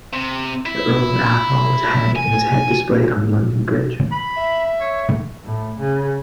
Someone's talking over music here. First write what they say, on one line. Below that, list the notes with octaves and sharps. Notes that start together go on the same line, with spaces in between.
The Earl of Atholl was hanged and his head displayed on London Bridge.
C3
E4
G#5
B5
E5
C#5
A2
C#3